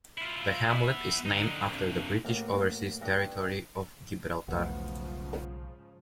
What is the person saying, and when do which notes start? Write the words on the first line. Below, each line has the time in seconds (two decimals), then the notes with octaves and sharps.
The hamlet is named after the British Overseas Territory of Gibraltar.
0.18 E4 F4
0.69 B3 E4
1.25 D3 D#4
1.68 C2 G2
2.25 A1 A#3
3.02 G2
4.48 B1 E2 G#2 C#3 F3 A3 B4 F#5